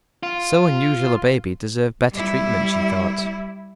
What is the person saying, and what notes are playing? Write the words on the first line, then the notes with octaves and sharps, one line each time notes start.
So unusual a baby deserved better treatment, she thought.
F4
G3 E4